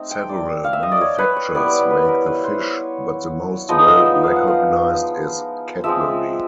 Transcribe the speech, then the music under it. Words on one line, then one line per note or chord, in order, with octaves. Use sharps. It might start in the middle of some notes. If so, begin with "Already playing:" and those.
Several manufacturers make the fish, but the most well-recognised is Cadbury.
Already playing: A3 C4 D#4
G5
D5
F5
E5
D#5
D5
C#5
B4
C#5
G3 B3 E4 D5
C#5
B4
A#4
B4
C5
C#5
F3 G#3 B3 D#4 D#5
E5
E5
F5
F#5
F5
F3 G#3 C4 E5